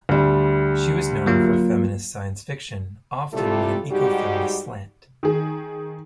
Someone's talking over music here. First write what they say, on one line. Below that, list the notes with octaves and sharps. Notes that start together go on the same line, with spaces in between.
She was known for feminist science fiction, often with an ecofeminist slant.
D2 G3
F#3 A#3 F4
C3 G3 A3 E4 F4 A4
G#2 G3 D#4 F#4 G4
D#3 G#4